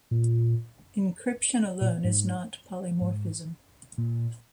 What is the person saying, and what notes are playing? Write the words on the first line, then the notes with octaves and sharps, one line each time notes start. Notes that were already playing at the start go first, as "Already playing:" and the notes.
Encryption alone is not polymorphism.
A#2
A#2
G#2
G#2
A#2